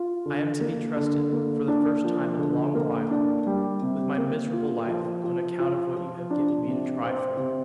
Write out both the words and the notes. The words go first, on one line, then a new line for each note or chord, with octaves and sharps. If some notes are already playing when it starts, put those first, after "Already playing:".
I am to be trusted, for the first time in a long while, with my miserable life, on account of what you have given me to try for.
Already playing: F4
D3
A#3
D3
A#3
D4
F3
D3
A#3
D4
G3
C3
A#3
F4
F3
F3
F4
F3
D4
C3
C4
C3